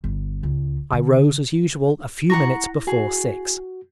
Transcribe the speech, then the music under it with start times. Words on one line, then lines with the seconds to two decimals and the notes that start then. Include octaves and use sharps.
I rose as usual a few minutes before six.
0.04 G1
0.43 C#2
0.93 D3
2.30 E4 F#5 A#5 C#6 A#6
2.87 F#4 G#4